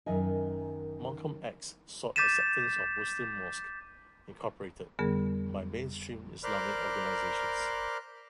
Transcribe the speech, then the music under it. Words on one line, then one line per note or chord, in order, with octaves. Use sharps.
Malcolm X sought acceptance of Muslim Mosque, Incorporated by mainstream Islamic organizations.
F#2 D#3 A#4 D#5 E5 G#5
D6 G6 A6 B6 D#7 E7
F2 D3 G3 B3 G#4 A#4
A#4 C5 D5 B5 F6 F#6